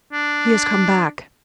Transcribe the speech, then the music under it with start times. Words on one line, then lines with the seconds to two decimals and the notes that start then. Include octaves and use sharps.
"He has come back."
0.13 D4